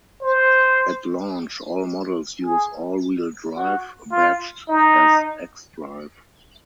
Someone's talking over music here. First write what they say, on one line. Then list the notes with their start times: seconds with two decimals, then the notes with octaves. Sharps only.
At launch, all models use all-wheel drive, badged as xDrive.
0.23 C5
2.45 G#4
3.57 F#4
4.12 F4
4.68 D#4